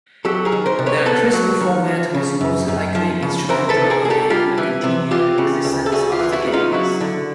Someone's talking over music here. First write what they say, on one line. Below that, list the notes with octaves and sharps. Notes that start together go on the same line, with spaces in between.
Their crisp format was most likely instrumental in the continued existence of the games.
F#3 G4 A4
G#4 A#4
D#3
A#4 C5
C3
B4 C#5
B3 A4 B4
F#3
D#3
F3
C#3
F#2
F#2
F3
C#3
E3 A#4 C5
A4 B4
C3
G#4 A#4
C2 G#4
G4 A4
G3 F4 G4
E3
C3
E3 F4 G4
C#3
D2
A4
D2 F#4 G#4
F4 G4
E3
E4 F#4
C#3
D#4 F4
F#3 E4 F#4
D3